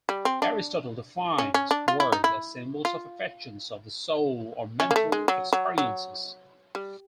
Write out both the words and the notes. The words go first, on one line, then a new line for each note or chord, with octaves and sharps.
Aristotle defines words as symbols of 'affections of the soul' or mental experiences.
G3
C4
D4
C#4
C#4
D4
F4
E4
D#4
E4
F4
C#4
A#3
A3
G#3
F#3
F#3
F#3
G3